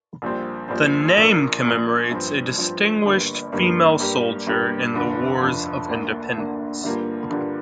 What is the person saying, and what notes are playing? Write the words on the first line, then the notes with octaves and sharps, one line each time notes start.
The name commemorates a distinguished female soldier in the wars of independence.
A#1 A#2 G3 C4
A#1 A#2 G3 C4
A#1 A#2 A#3
A#1 A#2 A#3
G2 F3 C4
G2 F3 C4
G1 G2 G3 A#3
G1 G2 G3 A#3
G2 G3 A#3 G4
G2 G3 A#3 G4
F1 F2 D3
F1 F2 D3
D2 D3 A#3 D4
D2 D3 A#3 D4
G2 D3 G3 A#3 F4
G2 D3 G3 A#3 F4